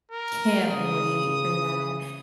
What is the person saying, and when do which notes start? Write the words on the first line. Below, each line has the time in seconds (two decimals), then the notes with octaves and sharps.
can't wait for that.
0.12 A#4
0.71 C#3 D#6